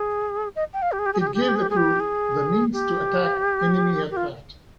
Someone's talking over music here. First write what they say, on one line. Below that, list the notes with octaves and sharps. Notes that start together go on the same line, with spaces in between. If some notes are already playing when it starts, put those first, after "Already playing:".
It gave the crew the means to attack enemy aircraft.
Already playing: G#4
D#5
G5
F5
G4
G#4
G4
G#4
G4
G#4
G4
G#4
G4
G#4
G4
G#4
G4
G#4
G4
G4
F4